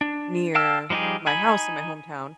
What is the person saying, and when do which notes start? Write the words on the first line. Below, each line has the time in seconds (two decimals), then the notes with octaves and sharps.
near my house in my hometown.
0.01 D4
0.55 F5 G5 A5 E6 F6
0.90 F3 G3 D#4 G4 G#4
1.26 D#4 G#5 B5